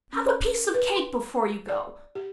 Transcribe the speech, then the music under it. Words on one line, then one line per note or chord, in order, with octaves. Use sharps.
Have a piece of cake before you go!
C#4
A#4
B4
C6
D5
G4